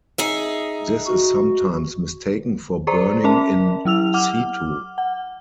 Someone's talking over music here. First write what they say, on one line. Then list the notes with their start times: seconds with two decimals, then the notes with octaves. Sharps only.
This is sometimes mistaken for burning in situ.
0.18 D#4 G#4 E5
1.07 F#4
2.87 G#4 B4 C5 D5 A#5
3.24 C#4 A#4 E5 A5
3.85 F#3 E4 E6 F7
4.14 F#5 D6 F6
4.98 F#5